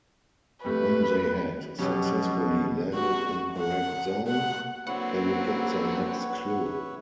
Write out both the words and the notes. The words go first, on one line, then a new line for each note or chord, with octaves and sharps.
When they had successfully landed in correct zone, they would get their next clue.
F2 G3 A3 B4
F2 B2 F#3 C#4 G4
F#4
F#5
F#5
D3 F#3 A#3 C4 E4 B4 C#5 F#5